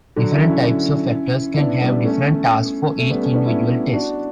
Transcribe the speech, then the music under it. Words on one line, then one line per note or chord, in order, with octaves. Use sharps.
Different types of actors can have different tasks for each individual test.
D3 F#3
C#4 E4
C#4 E4
E4
B3 D4
G3 B3
A3 C#4
A3 C#4
G3 B3
A3 C#4
B3 D4
C#4 E4
D4 F#4